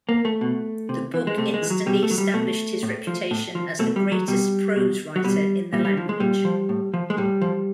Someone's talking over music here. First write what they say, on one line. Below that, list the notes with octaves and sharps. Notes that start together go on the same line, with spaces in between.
The book instantly established his reputation as the greatest prose writer in the language.
A#3
A3
B2
C3
E3
G#3
C3 A3
G#3
E3
F#3
B2 G3
A3
F#3
G3
B2 A3
A2
F3
A2
F3
B2 A3
G3
F#3
B2 G3
B2
F#3
B2 G3
A#2 G3
G3
F3
G#3
A#2 G3
F3
A2
F3
G#3
A2 G3
F3